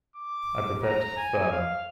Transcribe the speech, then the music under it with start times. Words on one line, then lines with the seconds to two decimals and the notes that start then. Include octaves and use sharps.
I prepared to be firm.
0.16 D6
0.82 A#5
1.17 G#5
1.51 F5